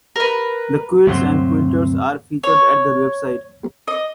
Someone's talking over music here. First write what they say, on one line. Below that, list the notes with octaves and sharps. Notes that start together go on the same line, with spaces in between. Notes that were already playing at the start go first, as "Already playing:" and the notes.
The quilts and quilters are featured at their website.
A#4 B4
D2 G2 C3 F#3 C4 C6
C#5
D#5